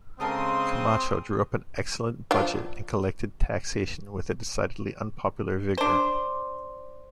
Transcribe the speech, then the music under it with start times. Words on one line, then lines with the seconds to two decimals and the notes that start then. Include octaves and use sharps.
Camacho drew up an excellent budget and collected taxation with a decidedly unpopular vigour.
0.20 C#3 G#3 C4 G4 A4 A#4 C6 D#6
2.31 F3 D4 F4
5.78 D4 C5